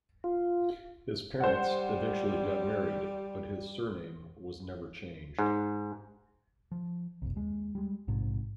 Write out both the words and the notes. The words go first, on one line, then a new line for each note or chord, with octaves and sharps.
His parents eventually got married but his surname was never changed.
F4
G3 C5 F#5
G#2
F3
F#1 C2
D#2 G#3
G3 G#3
A#1 G#2 C3